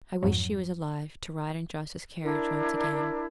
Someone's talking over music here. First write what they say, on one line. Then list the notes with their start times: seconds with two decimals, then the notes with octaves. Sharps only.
I wish she was alive, to ride in Jos's carriage once again.
0.23 F2 G#2 F#3
2.23 D4 E4 A#4